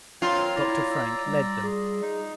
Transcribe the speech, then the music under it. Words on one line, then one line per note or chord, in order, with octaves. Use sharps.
Dr. Frank led them.
C4 F4 A#4 C#5
E4 D5 A#5
E6
G3
G#4
D#4